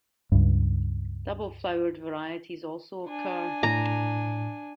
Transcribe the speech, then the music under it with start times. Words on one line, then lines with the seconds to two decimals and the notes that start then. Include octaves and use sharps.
Double flowered varieties also occur.
0.32 C#2 G2
3.07 D4 G#5
3.63 A2 A#5